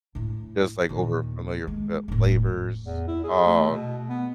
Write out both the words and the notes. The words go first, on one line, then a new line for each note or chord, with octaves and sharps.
Just, like, over familiar fa uh, flavors, uh,
A2 E4
D#2 A#2
G#3
E1 A2
E2
E4
G#4
A3
B2
B3